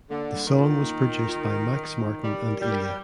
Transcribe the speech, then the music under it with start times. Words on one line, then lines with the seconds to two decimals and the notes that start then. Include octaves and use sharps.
The song was produced by Max Martin and Ilya.
0.10 D3 A#3
0.34 G3
0.47 D#3
0.58 F4
0.81 A#3
1.05 F4
1.29 F4
1.53 A#4
1.76 A#4
2.00 D#4
2.24 G3 D5
2.48 A#4
2.60 G3
2.72 A#4